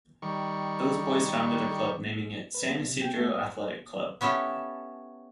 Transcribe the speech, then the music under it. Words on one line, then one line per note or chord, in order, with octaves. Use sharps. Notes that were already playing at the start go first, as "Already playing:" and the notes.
Those boys founded a club naming it "San Isidro Athletic Club".
D#3 G3 C#6
B4
B3
C3
G5
A3
D#6
B3 C#4 E4 G4 A4